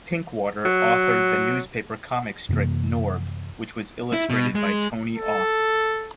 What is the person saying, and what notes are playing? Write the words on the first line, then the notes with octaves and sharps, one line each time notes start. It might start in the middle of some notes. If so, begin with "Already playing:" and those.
Pinkwater authored the newspaper comic strip "Norb", which was illustrated by Tony Auth.
F#3
F#2 C3 E3 A#3
E4
B2
G#3
A4